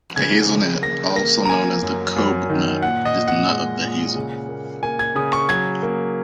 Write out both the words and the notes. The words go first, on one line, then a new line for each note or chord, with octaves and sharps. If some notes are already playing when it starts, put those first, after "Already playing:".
The hazelnut, also known as the cobnut, is the nut of the hazel.
C#3 G#6
C#3
A#3 A#6
A#3 A#6
A#5
A#3 G#5
F#2
F#2
D#3
A#2 F#5
D#5
A#2
F#5
G#3
A#2
C#3
A#3
A#3 G#5
G#6
C#3 D#6
C#6
F#3 G#6
A#3